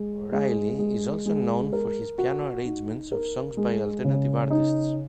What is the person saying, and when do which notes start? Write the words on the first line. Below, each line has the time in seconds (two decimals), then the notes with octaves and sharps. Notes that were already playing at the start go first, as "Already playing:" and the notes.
O'Riley is also known for his piano arrangements of songs by alternative artists.
Already playing: G#3
0.32 G#3
0.79 G#3
1.26 G#3
1.73 A#4
2.18 F#4
2.65 D#4
3.12 A#4
3.57 G#3
4.04 C#3
4.50 D#4